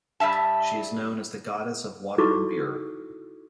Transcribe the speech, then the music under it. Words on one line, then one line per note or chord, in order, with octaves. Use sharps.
She is known as the goddess of water and beer.
G2 G3 E5 A5
D#4 E4 F#4 A4 C#6 D6